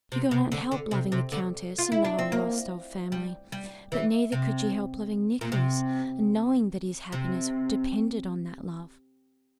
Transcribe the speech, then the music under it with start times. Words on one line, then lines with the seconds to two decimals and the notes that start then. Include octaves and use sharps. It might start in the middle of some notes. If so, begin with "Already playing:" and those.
She could not help loving the countess and the whole Rostov family, but neither could she help loving Nicholas and knowing that his happiness depended on that love.
0.12 C3
0.31 C3
0.52 D3
0.72 D3
0.91 C3
1.12 C3
1.32 D3
1.78 F4
1.92 E4
2.04 D4
2.19 C4
2.32 A#3
3.12 G3
3.52 G3
3.92 E3
4.32 C3
5.41 A#2
5.52 C3
7.12 C3